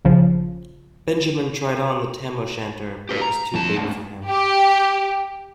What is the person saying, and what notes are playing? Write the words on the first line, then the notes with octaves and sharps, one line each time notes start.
Benjamin tried on the tam-o-shanter, but it was too big for him.
A#1 C#3 F3
G4 B4
A#5
F2 A5
D2 G#2
G4